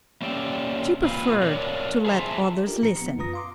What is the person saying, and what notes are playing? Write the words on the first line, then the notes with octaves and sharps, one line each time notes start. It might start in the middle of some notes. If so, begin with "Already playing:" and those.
She preferred to let others listen.
A#3 C#4 G4 D5 E5 G5
A#2 C4 B4 F5
D4 A#4 C#5 D5 F5
G#4 C5 E5 A5 A#5
D4 F4 G4 A4 A#4
A#2 F3 A#5 C#7
B3
F#2 F4 B4 A#5 D#6 A#6
F5 C6 D6